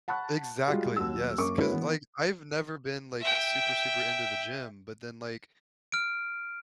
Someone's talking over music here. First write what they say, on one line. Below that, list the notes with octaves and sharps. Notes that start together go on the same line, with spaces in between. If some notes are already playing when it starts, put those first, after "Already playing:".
Exactly. Yes. 'Cause, like, I've never been, like, super, super into the gym, but then, like,
F#5 A5 B5 C#6 F#6
G3 G#3 F4 F#4
D#2 F#3 E6
F#2 A#3 C#6 D6
G#3 A#3 E4 F#4 B4 C#5
E3 B3
E5 G5
F6 D7